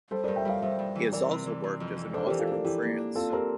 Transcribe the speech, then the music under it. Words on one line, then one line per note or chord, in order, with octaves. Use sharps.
He has also worked as an author in France.
G3 A4 C5
A#4 D5
G2
E5 G5
G3 D5 F5
G2 C5 E5
G2
E3
E3 A#4 D5
C3
E3
C3
F2
E3
D4 A4 C5
E3 G4 A#4
F4 A4
D4 G4 A#4
E3 E4 G4
A#3
D4
C4 F4 A4
C4 G4 A#4